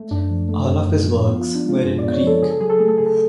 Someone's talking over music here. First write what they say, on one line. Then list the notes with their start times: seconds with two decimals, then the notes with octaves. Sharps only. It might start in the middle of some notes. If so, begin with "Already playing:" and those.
All of his works were in Greek.
Already playing: A3
0.11 F#2 D4
0.30 F3
0.49 A3
0.68 F#2
0.88 F#2
1.06 F3
1.26 B3 F4
1.40 F4
1.46 F3
1.55 D4
1.65 G#3 F4
1.83 F#2 G#4
1.99 B3 D5
2.13 C#5
2.23 F3 A4
2.42 C#3 G#4
2.50 A4
2.60 F#3 G#4
2.70 A4
2.79 A3 G#4
2.88 A4
2.98 C#3 G#4
3.06 A4